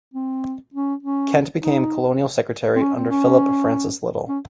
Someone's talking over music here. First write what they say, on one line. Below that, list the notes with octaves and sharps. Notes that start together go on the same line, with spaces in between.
Kent became Colonial Secretary under Philip Francis Little.
C4
C#4
C#4
D#4
C4
C#4
C4
C#4
C#4